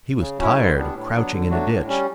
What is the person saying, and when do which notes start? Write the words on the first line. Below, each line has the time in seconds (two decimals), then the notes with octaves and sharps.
He was tired of crouching in a ditch.
0.19 C#3
0.38 F#3 C#4 E4
0.56 D3
0.75 G3 B3 D4
0.94 A2
1.13 F#3 B3 D4
1.31 D3
1.50 F#3 A3 D4 F#4
1.69 A2
1.88 G3 C#4